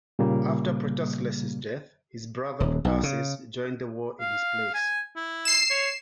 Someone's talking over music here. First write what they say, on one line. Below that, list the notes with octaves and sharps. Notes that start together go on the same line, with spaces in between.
After Protesilaus' death, his brother, Podarces, joined the war in his place.
A#2 C#3 G3 A#3
D#1
B1
C#3
F5
G#5
E4
C7 E7
C#5